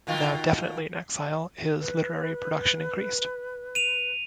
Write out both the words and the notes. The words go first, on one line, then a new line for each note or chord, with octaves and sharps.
Now definitively an exile, his literary production increased.
B2 D#3 F4
B4
D#7 F7